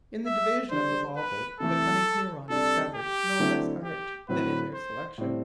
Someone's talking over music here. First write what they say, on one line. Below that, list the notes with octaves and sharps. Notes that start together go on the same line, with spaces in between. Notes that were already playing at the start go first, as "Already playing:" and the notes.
In the division of the baubles the cunning Huron discovered no less art than in their selection.
E5
D3 G3 D4 C5
B4
C3 E3 A3 A4
C3 G3 D4 A4
G4
D3 F#3 A3 C4 E4
G4
A2 F#3 C4 E4 B4
C5
A2 G3 C4